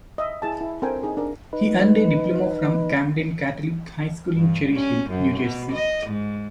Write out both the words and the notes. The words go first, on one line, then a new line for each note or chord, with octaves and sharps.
He earned a diploma from Camden Catholic High School in Cherry Hill, New Jersey.
D#5 E5
E4 G#4 A5
E4
C4 D4 A4 A#4 G5 G#5
D#4 G#4
D4 A#4
D#4 B4
G2
C#4
F#2
B2
D#5
G#2